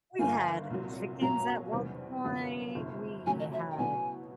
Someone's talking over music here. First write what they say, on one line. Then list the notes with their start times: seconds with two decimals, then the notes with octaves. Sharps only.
we had chickens at one point, we had
0.19 G1 G2 D3 F3 A#3 G#5
0.70 C2 A#2 F#3
1.21 B2 F#3 A#3 C#4 A#5
1.72 E2 C3 D#3 G3 C4
2.24 F#2 D3 F3 A#3 C#4
2.75 G1 F2 C3 D#3
3.26 F2 C#3 F#3 A3 C#4 G#5
3.40 D#5
3.53 E5
3.71 G5
3.78 B2 F#3 B3 E4 G#5